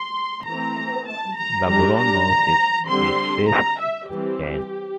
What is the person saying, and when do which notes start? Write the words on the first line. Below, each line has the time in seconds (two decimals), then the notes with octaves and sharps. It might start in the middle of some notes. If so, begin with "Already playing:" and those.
The brown nose is a recessive gene.
Already playing: C6
0.46 E3 A3 C4 A#5
1.07 A5
1.37 A#5
1.67 G3 D4 A#5
1.97 A#5
2.88 D3 G3 C4 C6
3.49 A#5
3.79 E5
4.10 E3 G3 C4 G4